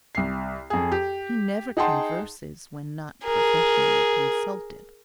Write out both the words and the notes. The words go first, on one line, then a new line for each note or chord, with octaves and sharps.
He never converses when not professionally consulted.
C2 C7
F2 G#4
G4
D#4 G#4 F#5 G5 A5 C6
G#4 A#4